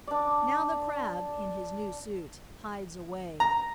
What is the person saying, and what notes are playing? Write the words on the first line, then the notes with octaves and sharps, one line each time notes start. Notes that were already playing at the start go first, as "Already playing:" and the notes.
Now the Crab, in his new suit, hides away.
D4 D5
A#5